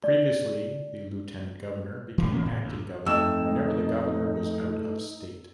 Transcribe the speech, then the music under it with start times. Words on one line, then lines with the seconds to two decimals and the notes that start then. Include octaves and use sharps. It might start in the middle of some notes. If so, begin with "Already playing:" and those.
Previously, the Lieutenant Governor became acting Governor whenever the Governor was out of state.
0.04 D5
2.18 A2 D#3 E3
2.32 E3 A#3 C#4
2.46 A2
2.64 D2
3.06 F2 A3 D#4 E6 E7